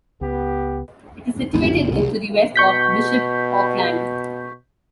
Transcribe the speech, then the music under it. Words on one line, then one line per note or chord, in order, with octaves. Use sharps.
It is situated to the west of Bishop Auckland.
C#2 B3 G4
A1 D#2 G#3 B3
F#1
C2
B2 C#6 G6 B6